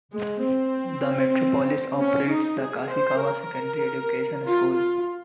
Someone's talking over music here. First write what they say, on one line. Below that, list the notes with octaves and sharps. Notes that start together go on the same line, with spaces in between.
The metropolis operates the Koishikawa Secondary Education School.
G#3
C4
C#4
D#4
G#4
C5
A#4
F4
F4